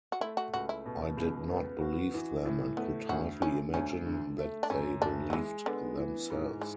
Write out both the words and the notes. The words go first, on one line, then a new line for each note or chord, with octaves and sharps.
I did not believe them and could hardly imagine that they believed themselves.
F#4
A3 E4
F#4
C#2 F#4
E4
B2
C#2
B3
F#4
E3
A2
A3 B3
D2 F#4
D3 C#4
D2 C#4
D3
A3
D4
F#2 C#4
F#1 D4
F#3
E3 G#3
D3 B3
E3
G#2
E3 G#3